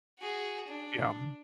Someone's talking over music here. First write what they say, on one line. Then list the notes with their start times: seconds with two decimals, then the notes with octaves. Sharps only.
yeah, um
0.20 F#4 G#4
0.67 D4